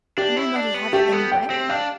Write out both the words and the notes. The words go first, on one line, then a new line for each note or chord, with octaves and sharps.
"And will not he have it any way?"
D4 G4
E4
D4
B3
A3 G4
B3 A4
G5
C4
D4 F5